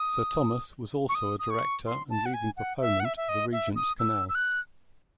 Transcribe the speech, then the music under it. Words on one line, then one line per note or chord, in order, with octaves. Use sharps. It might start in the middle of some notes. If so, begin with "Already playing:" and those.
Sir Thomas was also a Director and leading proponent of the Regent's Canal.
Already playing: D#6
C#6
D#6
D#6
C#6
C6
A5
F#5
G#5
F#5
E5
F#5
E5
E5
D#5
E5
D#6
E6
E6
F#6